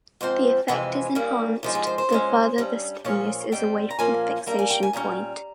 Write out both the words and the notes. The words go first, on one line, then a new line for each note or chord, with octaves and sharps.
The effect is enhanced the further the stimulus is away from the fixation point.
G#2 F3 C4 C5
F2 C3 E3 G#3 C4 G#5
G2 G3 A#3 C#4
G#2 F3 G#3
G#4
C5
C5
A#2 G#3 C#4
G2 G3 C#4
A#2 F3 A#3 C#4 C#5
G#2 G3 C4 G5
A#5
A#2 F3 A#3 C#4 G#5
G2 G3 A#3 A#5
G#5
G5
G#5
A#2 G3 C#4 A#5